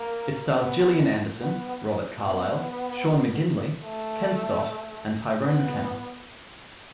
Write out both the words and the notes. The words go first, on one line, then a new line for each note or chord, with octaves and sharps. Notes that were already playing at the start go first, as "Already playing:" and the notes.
It stars Gillian Anderson, Robert Carlyle, Sean McGinley, Ken Stott and Tyrone McKenna.
Already playing: A#3
B3
B3
B3
A3
B3